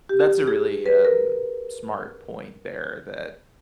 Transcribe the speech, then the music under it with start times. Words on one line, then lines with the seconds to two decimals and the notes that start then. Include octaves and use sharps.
That's a really, um, smart point there that
0.09 G4
0.48 G#4
0.86 B4
1.05 A#4